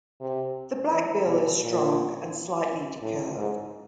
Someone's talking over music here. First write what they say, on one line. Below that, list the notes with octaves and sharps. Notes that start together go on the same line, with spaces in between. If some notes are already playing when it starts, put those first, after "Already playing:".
The black bill is strong and slightly decurved.
C3
E3
B2
A#2
A2
G#2